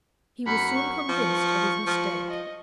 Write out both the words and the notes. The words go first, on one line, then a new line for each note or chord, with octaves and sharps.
He was soon convinced of his mistake.
F#2 B5 C#7
C#6
F3
F3
D#5